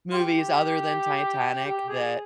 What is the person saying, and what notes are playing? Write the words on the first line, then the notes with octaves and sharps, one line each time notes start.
movies other than Titanic that
F4
G4
G4
G#4